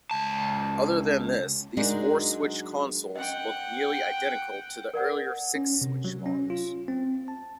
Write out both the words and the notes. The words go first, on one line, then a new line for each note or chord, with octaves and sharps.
Other than this, these four-switch consoles looked nearly identical to the earlier six-switch models.
C#2 A5
F#3 G#3 D4 D#4 A#4 C5
C#4 D#5 F#5 G5
A#4 D5 F#5
C#4
C3
F#3
C#4
F4
C4
A5